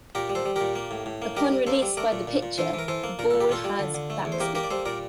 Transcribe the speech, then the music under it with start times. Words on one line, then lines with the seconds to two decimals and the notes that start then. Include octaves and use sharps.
Upon release by the pitcher, the ball has backspin.
0.15 A#2 G4 A#4
0.30 G3
0.35 A4 C5
0.45 G3
0.56 A#2 G4 A#4
0.75 A#3
0.91 A2
1.06 A2
1.22 A#3
1.37 G3 G4 A#4
1.52 G3
1.67 A#3 A4 C5
1.82 G3
1.97 A3 A#4 D5
2.12 A#2
2.27 A#2
2.43 A#2
2.58 E3 A4 C5
2.74 E3
2.79 A#4
2.88 E3 A4 C5
3.04 A#3
3.19 A#2 A#4
3.30 A#2 A4
3.41 G4
3.49 A#2 F4 A4
3.64 G3
3.79 D3
3.94 D3
4.10 A3
4.25 E2
4.32 C5
4.40 A#3 G4 A#4
4.55 A#3 G4 A#4
4.63 D5
4.70 G3 A4 C5
4.86 A#2 A#4 D5